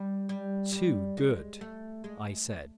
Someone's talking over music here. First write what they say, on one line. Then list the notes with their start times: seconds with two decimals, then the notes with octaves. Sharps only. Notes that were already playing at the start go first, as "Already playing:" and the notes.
"Too good," I said.
Already playing: G3
0.29 G3
0.72 G3
1.17 G#3
1.61 A3
2.04 G#3